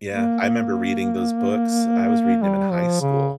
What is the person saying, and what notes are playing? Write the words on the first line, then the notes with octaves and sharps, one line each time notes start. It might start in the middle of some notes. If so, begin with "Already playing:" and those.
Yeah, I remember reading those books; I was reading 'em in high school,
A#3
A#3
G3
F3
C#3